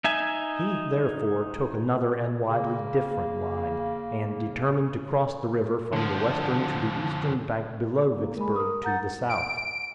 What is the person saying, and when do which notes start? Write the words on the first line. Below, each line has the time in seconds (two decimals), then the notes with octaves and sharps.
He, therefore, took another and widely different line, and determined to cross the river from the western to the eastern bank below Vicksburg, to the south.
0.04 D#4 E5 G#5
2.47 C#3 A#3
5.93 D3 F3
8.17 A#3
8.37 G#3 A#4 B5
8.56 A#4 D#6
8.84 F#5 A#5 G6 A6
9.29 D7